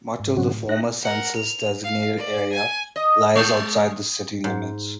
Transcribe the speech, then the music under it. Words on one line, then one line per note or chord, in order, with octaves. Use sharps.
Much of the former census-designated area lies outside the city limits.
G#2
G#2 C#3 F#3 C4 C#4 F#4
A2
D#4 F#6 A#6
A#4 F#5
F7
F5
D5
G#5
D#5
G#3
G#2